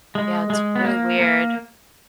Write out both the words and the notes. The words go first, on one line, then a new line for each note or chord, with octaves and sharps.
Yeah, it's really weird.
G#3
G#3
B3
A#3
A#3